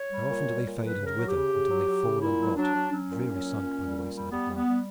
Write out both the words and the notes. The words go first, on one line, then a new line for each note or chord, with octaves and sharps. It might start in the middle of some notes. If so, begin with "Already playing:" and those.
How often do they fade and wither until they fall and rot, a dreary sight, by the wayside of life!
Already playing: C#5
G3
A#2
G3
A#2
F#3 B4
C#3
A#4
F#3
G4
C#3
C#3
F#3
F#3
C#3
A#2 E4
F#3
F#3 D4
F#3
F#3 C#4
A#2
F#3
A#2
A#2
G3
A#2
G3
G3 B3
G3
B3
G3